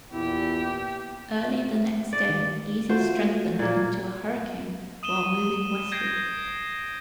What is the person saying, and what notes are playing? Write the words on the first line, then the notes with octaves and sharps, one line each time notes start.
Early the next day, Easy strengthened into a hurricane while moving westward.
E2 A#2 B3 E4 G4
D5
D#3
A3 F4 F#4 C5
A#2 A#3
D#6 D#7 E7 G7
G6 G#6 A#6 C7 D7